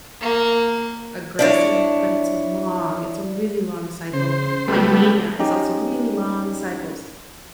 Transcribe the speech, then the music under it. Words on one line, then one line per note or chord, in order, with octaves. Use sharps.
aggressive, but it's long it's a really long cycle, my mania is also really long cycles,
A#3
D4 E4 C#5
C#3 C5
C#2 G3 A3 B3
C#4 D#4 G4